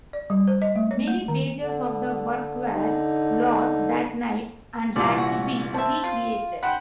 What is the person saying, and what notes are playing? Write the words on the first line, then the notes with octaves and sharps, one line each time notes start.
Many pages of the work were lost that night and had to be recreated.
D5
G3
C5
D#5
A3
C#5
A#3
D#3
D3
D3 D#4
C2 A#2 E3 D5 F5
F#4
C4 E5 A5
F4
C5 F#5 G5 B5